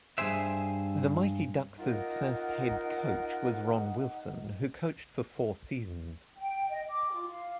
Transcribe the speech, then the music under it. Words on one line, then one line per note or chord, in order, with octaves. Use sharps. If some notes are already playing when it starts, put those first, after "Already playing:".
The Mighty Ducks's first head coach was Ron Wilson, who coached for four seasons.
G2 B2 G#4 C5 E5
D#4 F4 A#4 F#5
G5
D#5
D6
F4
F5